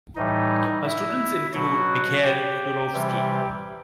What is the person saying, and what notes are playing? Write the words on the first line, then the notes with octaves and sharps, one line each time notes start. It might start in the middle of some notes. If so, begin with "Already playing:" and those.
Her students include Mikhail Turovsky.
A2 E3 G3 D#4 D#5
E4 E5
B2 F#3 F#4 F#5
G4 G5
C3 E3 G3